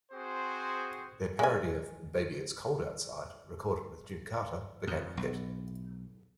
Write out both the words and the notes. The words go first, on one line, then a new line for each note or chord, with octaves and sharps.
Their parody of "Baby It's Cold Outside", recorded with June Carter, became a hit.
C4 F#4 G#4 C5
G#3 G#5
F2
B1